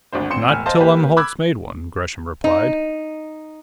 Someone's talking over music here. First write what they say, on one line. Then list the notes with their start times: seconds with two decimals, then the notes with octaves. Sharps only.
"Not till Umholtz made one," Gresham replied.
0.13 G#1 D2 D4 C5
0.30 G#1 C4 C6 C#7 E7
0.48 E1 A2 G#5 F6
0.66 C5 D#5 F5 A5 C6
0.80 A#3 G4 B4
1.17 B5 D6 E6 F#6 G#6
2.44 D#4